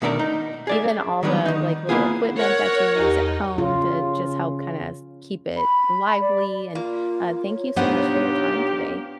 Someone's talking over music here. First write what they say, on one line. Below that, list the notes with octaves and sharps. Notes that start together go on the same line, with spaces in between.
even all the, like, little equipment that you use at home to just help, kinda s keep it lively, and, uh, thank you so much for your time today.
B2 D#3 A3 D4 A4 A#4
D#4
G#4 D5 E5
D#3 F#3 G3 A#3 B3 D4
D#3 D#4
A#3 B3 E4 F4 G#4
A#4 C#5 F#5
E2 D#4 G4 C#6
C#3 F4
B5
D5
A#3 F4
C#5
B2 B3 D4 D#4 F4 G4 C5 F#5